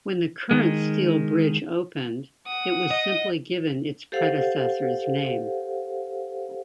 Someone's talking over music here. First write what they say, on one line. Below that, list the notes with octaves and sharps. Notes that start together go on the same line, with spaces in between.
When the current Steel Bridge opened, it was simply given its predecessor's name.
D#3 G#3
F#5 D#6
D#5
G4 A4 C5 F5 F#5